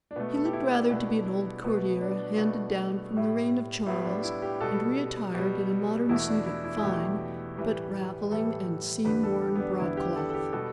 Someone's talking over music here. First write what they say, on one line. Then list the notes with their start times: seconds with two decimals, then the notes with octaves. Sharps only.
He looked rather to be an old courtier handed down from the reign of Charles, and re-attired in a modern suit of fine, but raveling and seam-worn, broadcloth.
0.11 D4
0.16 B2 A3 B3
0.35 A4
0.45 G4
0.53 E4
0.72 D4
0.90 B2 A3 D4
1.64 B2 A3 B3
2.01 D4
2.38 B2 A3
3.12 A2 G3
3.86 A2 G3 B3
4.05 D4
4.23 E4
4.42 G4
4.60 B2 G3 A4
5.34 B2 G3
6.09 E2 B2 A3 E4
6.28 D4
6.46 E4
6.64 E4
6.76 E4
6.83 E2 B2 A3 G4
7.57 A2 E3 G3
8.31 A2 E3 G3 A4
9.05 E2 D3 G3 B4
9.23 A4
9.42 G4
9.55 B3
9.60 D4
9.79 E2 D3 G3 E4
9.97 G4
10.16 A4
10.30 A4
10.34 G4
10.53 B2 G3 A4